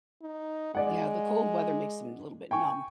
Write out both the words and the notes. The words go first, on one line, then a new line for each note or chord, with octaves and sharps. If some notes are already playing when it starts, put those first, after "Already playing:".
Yeah, the cold weather makes them a little bit numb.
D#4
G#3 D5 F#5
G5 G#5 C#6